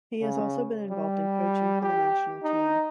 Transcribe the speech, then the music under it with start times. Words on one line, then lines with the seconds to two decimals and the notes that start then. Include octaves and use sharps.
He has also been involved in coaching for the national team.
0.21 C#3
0.90 G3
1.82 G4
2.43 D#4